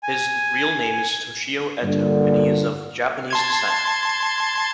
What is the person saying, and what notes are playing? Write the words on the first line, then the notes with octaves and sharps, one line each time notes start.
His real name is Toshio Eto, and he is of Japanese descent.
G#5
G2 A#2 D3
A5 C6 G#6